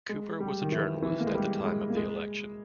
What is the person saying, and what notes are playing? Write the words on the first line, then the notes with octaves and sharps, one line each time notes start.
Cooper was a journalist at the time of the election.
G#3
G3
D#3
E3
E3
A#3
G#3
G3
G#3
A#3
G#3